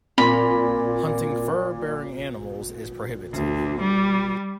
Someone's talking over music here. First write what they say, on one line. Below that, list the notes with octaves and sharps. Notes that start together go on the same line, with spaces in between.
Hunting furbearing animals is prohibited.
A#2 C4 A#4 B5 C6
D2
G3